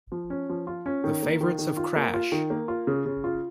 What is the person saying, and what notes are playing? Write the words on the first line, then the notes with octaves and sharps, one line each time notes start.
The Favorites of Crash!
F3
C#4
F3
F4
C#4
D#3
A#3
D#3
D#3
F4
A#3
F4
D#3
A#3
F4
C#3
C#3
F4